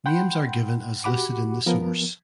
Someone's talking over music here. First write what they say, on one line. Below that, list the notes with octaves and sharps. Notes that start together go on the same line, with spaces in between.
Names are given as listed in the source.
F#5 G5 B5 C6 G6
F#4 G4 F#5 B5 D6
F3 B3 A#4